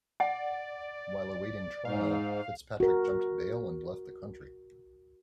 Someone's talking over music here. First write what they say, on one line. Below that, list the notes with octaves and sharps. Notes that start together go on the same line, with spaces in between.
While awaiting trial, Fitzpatrick jumped bail and left the country.
D5 F#5
G#2 F5
F#4 A#4